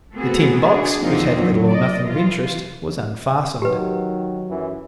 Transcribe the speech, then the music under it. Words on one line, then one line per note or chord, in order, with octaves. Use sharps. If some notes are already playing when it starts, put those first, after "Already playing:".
The tin box, which had little or nothing of interest, was unfastened.
A3 B3 C4 F#4 G#4 A4
D4 F#4 G#4
E2 D3 F3 A#3 C4 D#4
F#3
D5 D#5
E3 F4
D#3 F#3 G4 B4
F#2 E3